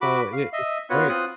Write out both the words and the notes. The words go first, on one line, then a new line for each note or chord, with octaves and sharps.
So, i it's great.
F#4 B5 D6
F5
D#5 E5
B3 F4 F#4 B4 C#5 F#5
C4 F4 D#6 F#6